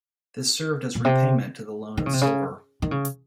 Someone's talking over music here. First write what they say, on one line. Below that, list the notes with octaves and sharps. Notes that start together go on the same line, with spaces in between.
This served as repayment to the loan of silver.
A#2
C3
D#3
C#3
C3
C#3
D#3
C#3